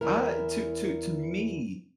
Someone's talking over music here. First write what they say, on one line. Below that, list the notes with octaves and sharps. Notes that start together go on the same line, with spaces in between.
Uh, i to to to me
E2 E4 A#4